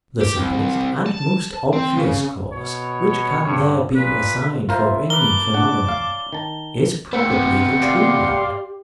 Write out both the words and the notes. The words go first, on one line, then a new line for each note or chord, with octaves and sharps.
The simplest and most obvious cause which can there be assigned for any phenomenon, is probably the true one.
G4
C2
A5
C4
C#3
B2 C#5
G2
A#2 B4
E4 F4 A#4 C5 E5
A#4 B4 A5 D6 G7
D4 E4 C#5 D5 F#5
F5
D#3 A5
A#2 A3 F#5 G5
C3 B3
G4 D5 F5 C6